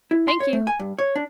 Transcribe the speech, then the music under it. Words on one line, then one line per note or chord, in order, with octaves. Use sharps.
Thank you.
E4
C6
C#5
A3
G#5
G2
C#5
D4